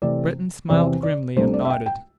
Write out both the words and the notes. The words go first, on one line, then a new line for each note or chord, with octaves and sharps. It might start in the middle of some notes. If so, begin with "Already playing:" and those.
Breton smiled grimly and nodded.
C3 E3 A3 C4 D5
E2 C3 E3 C4 D5
D5
C2 C3 A3 D4 C5
D5
E5
G5
G5